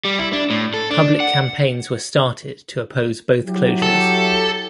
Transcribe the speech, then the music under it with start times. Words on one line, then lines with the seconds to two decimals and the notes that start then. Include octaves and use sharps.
Public campaigns were started to oppose both closures.
0.05 G3
0.19 E4
0.33 D4
0.50 A2
0.74 A4
0.90 D4
1.20 F#5
3.45 F#3 E4 G4
3.82 A4